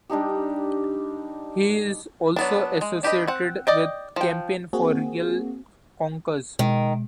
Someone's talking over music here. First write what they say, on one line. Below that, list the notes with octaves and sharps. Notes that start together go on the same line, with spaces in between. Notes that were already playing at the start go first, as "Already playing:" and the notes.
He is also associated with Campaign for Real Conkers.
G3 D4 D#4 G4
F#3 B3 D4
G#3
D4 G4 B4 D#5
C4 F#5
D5 D#5 G5
F3 G5
A#3 C4 F#4 G#4
B2 D#3 G#3